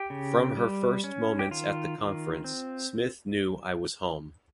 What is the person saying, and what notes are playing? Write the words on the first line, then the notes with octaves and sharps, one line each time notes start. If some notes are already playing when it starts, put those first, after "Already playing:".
From her first moments at the conference, Smith knew I was home.
Already playing: G4
C#3
G3
C#4
G4
D#3 F4
D#3
C4